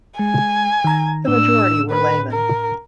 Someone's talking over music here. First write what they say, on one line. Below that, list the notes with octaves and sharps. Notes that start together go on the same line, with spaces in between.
The majority were laymen.
G#3 G#5
D#3 A#5
A2 D4 E6
B4
A#4